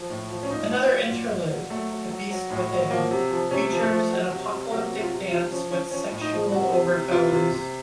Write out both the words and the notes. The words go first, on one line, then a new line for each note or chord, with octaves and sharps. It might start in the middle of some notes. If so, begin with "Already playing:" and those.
Another interlude, "The Beast Within", features an apocalyptic dance with sexual overtones.
Already playing: F3
A2
F3
C#4
A#2 D#4
A#2
F#3
A#2
A#2
F#3
F#3 A3
F#3
F#3
F#3
A2
F#3
F3 A#3
C3
F3
C3 C#4
F3
A3
F3
F#3
C3
C3
F#3 A#3
C3
F4
C3
F3 F4
F3 C#4
F3 C#4
F3 C#4
A2
D#4
F3
C3 F#4
C3
C3
C3 F4
C3
C3